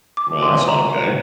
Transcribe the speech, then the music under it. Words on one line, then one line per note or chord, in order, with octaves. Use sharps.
Well, that's not okay.
D6
C6
A#5